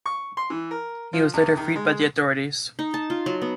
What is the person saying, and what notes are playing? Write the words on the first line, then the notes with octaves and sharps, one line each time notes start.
He was later freed by the authorities.
C#6
C6
E3
A#4
F3
E2
D#3
G#3
D#4
A5
F4
F#3
B3